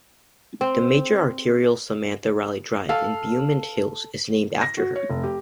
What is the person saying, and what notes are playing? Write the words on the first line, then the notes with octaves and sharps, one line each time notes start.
The major arterial Samantha Riley Drive in Beaumont Hills is named after her.
C4
A4 F5
A#6
F#4
C#5
F1
G4